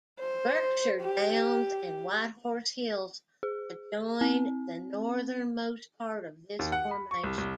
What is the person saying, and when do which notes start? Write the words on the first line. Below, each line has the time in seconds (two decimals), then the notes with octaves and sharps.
The Berkshire Downs and White Horse Hills adjoin the northernmost part of this formation.
0.20 C5
1.01 G4
3.43 G#4
4.21 C4
6.59 D#2
6.72 F#5
6.91 B5
7.11 C#6
7.24 C2
7.38 C2